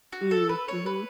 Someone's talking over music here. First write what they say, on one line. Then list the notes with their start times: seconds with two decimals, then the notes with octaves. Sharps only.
Mm, mhm.
0.12 F#4
0.31 A4
0.49 B4
0.68 C#5
0.86 B4